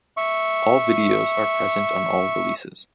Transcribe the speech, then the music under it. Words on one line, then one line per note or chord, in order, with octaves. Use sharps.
All videos are present on all releases.
E5 C#6